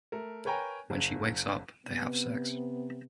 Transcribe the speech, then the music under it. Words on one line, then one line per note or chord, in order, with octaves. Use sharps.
When she wakes up, they have sex.
A3 A#4
A#4 B4 C#5 G5 G#5 A#5
F#1
C3 B3